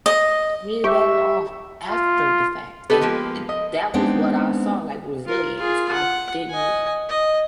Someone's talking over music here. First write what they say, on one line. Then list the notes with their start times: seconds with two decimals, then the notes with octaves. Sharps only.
way better off after the fact, and, eh, that was what I saw, like, resilience. I didn't,
0.06 D#5
0.84 G4 E5 C#6
1.89 F4
2.90 B3 G4 A4 B4 D#5
3.01 F3 G#3 A#3
3.49 D#5
3.94 G#3 B3 C4 D4 D#4
5.26 F4 A#4
5.56 F4 G#4
5.93 F#5
6.50 D#5 G#5
7.09 D#5